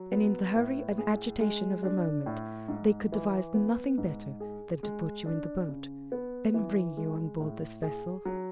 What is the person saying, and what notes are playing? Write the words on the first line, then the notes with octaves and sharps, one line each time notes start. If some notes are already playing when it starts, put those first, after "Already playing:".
And in the hurry and agitation of the moment, they could devise nothing better than to put you in the boat, and bring you on board this vessel.
Already playing: F#3
B3
A2
G#4
G#3
D4
A2
G#2
E3
B3
G#2
G#4
G#3
D4
C#3
B3
E3
G#3
A2
G#4
F#3